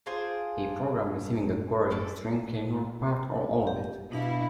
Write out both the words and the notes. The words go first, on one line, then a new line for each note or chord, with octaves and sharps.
A program receiving a query string can ignore part or all of it.
D4 F4 G#4 C5
G#3 A3 A4 D5
G4
B2 D4 E4 F5 B5